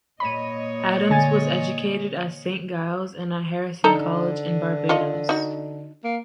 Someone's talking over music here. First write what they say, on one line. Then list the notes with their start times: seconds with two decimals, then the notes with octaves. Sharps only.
Adams was educated at Saint Giles and at Harrison College in Barbados.
0.20 A#2 C#5 D#5 B5 D#7
1.10 D3 G#5 A6
3.84 D3 D#4 A4 A#5
4.89 F4 A4 D#5
5.29 D#4 F#4
6.04 A#3